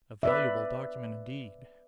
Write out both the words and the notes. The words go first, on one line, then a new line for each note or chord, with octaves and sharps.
'A valuable document, indeed!'
B4 D5 E5